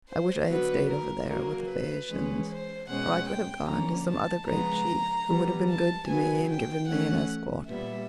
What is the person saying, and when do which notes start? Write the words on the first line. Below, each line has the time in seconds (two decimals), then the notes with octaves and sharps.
I wish I had staid over there with the Phaeacians; or I could have gone to some other great chief who would have been good to me and given me an escort.
0.08 C5
0.48 D3 F#3 B3 B4
0.89 A#4
1.28 C#3 F#3 A#3 A#4
1.68 B4
2.08 E3 G#3 C#4
2.48 C5
2.88 B2 G#3 C#4 F#5
3.28 G5
3.68 D3 F3 A#3 C#4 A#5
4.07 A5
4.48 C#3 F3 G#3 B3 A#5
5.28 E3 G3 B3
5.68 A5
6.07 C#3 F#3 B3 G#5
6.48 G5
6.87 E3 A3 C#4 F#5
7.67 A#2 G3 B3 E5